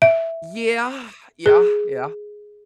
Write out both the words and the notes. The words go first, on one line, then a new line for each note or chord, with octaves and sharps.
Yeah. Yeah. Yeah.
E5
G#4